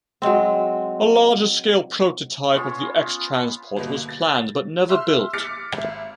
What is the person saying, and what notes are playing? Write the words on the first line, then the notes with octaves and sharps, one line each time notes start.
A larger scale prototype of the X transport was planned but never built.
F#3 G#3 C4
B3 C#4 F4
G1 B2 A#3
A6
E5 C6 E6 F6
D6 F6 A6 B6 C#7
G#1 E5